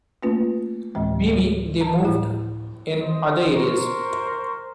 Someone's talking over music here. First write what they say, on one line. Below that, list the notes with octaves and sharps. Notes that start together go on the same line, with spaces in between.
Maybe they've moved in other areas.
A3 A#3 C#4 F4 B4
D2 A2 E3 G#3
A5 A#5
A2 F3 E4
C5 D#5
A#4 C5 C#6